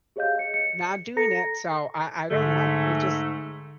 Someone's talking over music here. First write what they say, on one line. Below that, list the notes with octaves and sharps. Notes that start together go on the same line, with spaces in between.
not doing it, so, I I don't know, I just
G4 G#4 C#5 D#5 F5 G6
C#7
C#7
A4 A#5 A#6 C#7
G#2 D3 A3